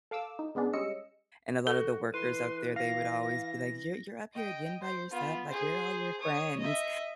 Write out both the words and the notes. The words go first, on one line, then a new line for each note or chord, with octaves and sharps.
and a lotta the workers out there, they would always be like, "You're you're up here again by yourself?" Like, "Where are all your friends?"
A4 F5 D6 E6
D#4
C#3 G#3 B3 D4 G#4
G3 G#3 C#4 D#5 E6 C#7
F#4 A4
E3 B4 C6
F5 A#6
D#5 G5
C5
B3 F4
G#4 C5
C#5 D#6
D#5 E5